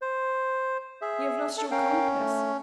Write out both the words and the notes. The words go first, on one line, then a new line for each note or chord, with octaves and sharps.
You have lost your compass!
C5
G#4 E5
A4
C#4 A#4 F5 G5
A3